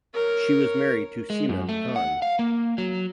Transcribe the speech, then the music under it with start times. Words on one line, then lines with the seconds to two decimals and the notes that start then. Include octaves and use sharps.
She was married to Seman Khan.
0.15 A#4 C#5
1.30 G#3
1.49 F#2
1.69 A3
1.96 F#5
2.22 F5
2.39 A#3
2.78 F#3